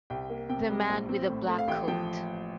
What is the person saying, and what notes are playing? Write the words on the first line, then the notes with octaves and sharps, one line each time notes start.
The man wi' the black coat.
C2 G5
A#3
C3 G5
G3
A#1
C4
A2
A3
F5
A1 G5
F3 G5